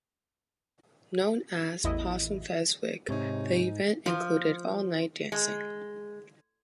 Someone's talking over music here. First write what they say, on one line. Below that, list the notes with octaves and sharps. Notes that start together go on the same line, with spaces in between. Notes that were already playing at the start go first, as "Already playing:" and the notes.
Known as "Possum Fes' Wik", the event included all-night dancing.
A1 E2 E4 D#5
G#2 C3 D#4 C#5
F3
G#3